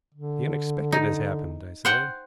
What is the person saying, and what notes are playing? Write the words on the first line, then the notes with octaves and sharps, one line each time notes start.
"The unexpected has happened," I said.
D3
D#4
C5 F#5 G5